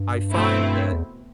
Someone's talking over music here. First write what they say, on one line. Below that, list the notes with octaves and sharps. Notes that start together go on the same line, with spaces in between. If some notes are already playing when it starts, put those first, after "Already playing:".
I find that
Already playing: G2
B2 A3 C4 E4
E2